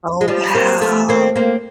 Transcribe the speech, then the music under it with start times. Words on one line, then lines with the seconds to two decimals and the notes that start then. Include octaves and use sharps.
Oh, wow!
0.21 G#3
0.28 F3 G3
0.55 A#3 C4
0.81 A3 B3
1.09 A#3 C4
1.36 A#3 C4